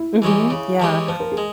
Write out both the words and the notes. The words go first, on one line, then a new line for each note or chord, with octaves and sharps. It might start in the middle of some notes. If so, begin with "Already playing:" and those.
Mhm. Yeah.
Already playing: E4
E3 G#3 C#4 G4
C#3
E3 G#3 C#4 G4
F3 C5
A#4
G#4
G#3